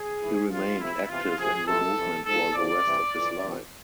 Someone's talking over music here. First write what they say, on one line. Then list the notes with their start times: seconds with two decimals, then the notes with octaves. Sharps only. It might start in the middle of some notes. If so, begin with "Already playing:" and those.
He remained active in the movement for the rest of his life.
Already playing: G#4
0.21 G#2 E3
0.50 F2 D3 F3 F4
0.80 F2 C3 F3 E4
1.08 E2 C3 E3 F4
1.37 F2 C3 F3 G#4
1.66 F2 C3 E3 A4
1.96 F2 C3 E3
2.26 G#2 F3 A4
2.55 F2 C3 F3 D5
2.84 C2 C3 E3
3.13 F2 E3
3.42 E2 C3 F3